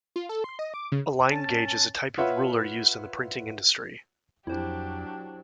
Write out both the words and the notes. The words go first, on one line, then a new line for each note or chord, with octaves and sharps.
A line gauge is a type of ruler used in the printing industry.
F4
A4
C6
D#5
D6
C#3
C#4 A5
F4 B4 C#5 E5 F#5
F2 F#3 D4 E4 G4 C5